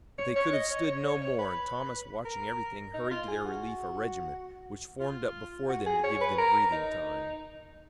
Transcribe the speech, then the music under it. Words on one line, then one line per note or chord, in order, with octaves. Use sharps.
But they could have stood no more, and Thomas watching everything hurried to their relief a regiment, which formed up before them to give them breathing time.
C#5
C#5
D#5
C#5
C#5
C#5
C#5
B4
A#4
D#4
F4
G#4
F#4
F4
F#4
G#4
C#5
B4
A#4
D#4